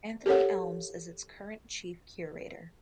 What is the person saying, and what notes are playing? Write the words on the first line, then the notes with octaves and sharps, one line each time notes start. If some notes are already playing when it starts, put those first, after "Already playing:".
Anthony Elms is its current Chief Curator.
G4 A4 A#4 C#5 F#5